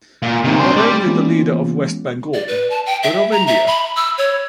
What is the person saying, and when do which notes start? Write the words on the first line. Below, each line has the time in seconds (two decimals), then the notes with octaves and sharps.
Not only the leader of West Bengal, but of India.
0.23 A#2
0.44 C3 D#3
0.59 D4 C5
0.77 G3 D5
1.06 E3 G#3 A#3 B3 C#4 F4
2.34 D5
2.48 B4
2.70 A5
2.86 G5
3.03 E5
3.31 A#5
3.47 E5
3.67 B5
3.96 E6
4.18 C#5